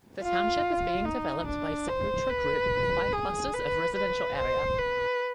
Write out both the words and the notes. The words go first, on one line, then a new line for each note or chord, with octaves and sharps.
The township is being developed by Ciputra Group with five clusters of residential area.
F4
D#4
D4
C5
B4
G#4
B4
B4
C5
B4